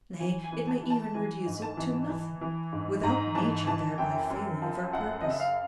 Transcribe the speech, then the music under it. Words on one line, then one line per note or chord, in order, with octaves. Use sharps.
Nay, it may even reduce it to nothing, without nature thereby failing of her purpose.
E3 G#5
G#5
E3
A5
E3
A5
E3 G#5
G#2
A5
E3
E3
E3
G#2
G#2 A#5
E3 A5
E3 A5
F#2 G5
F#2
F3
F#2 F#5
C#3 D#5
E5
F5